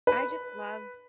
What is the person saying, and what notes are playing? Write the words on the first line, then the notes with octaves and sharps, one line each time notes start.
I just love
B4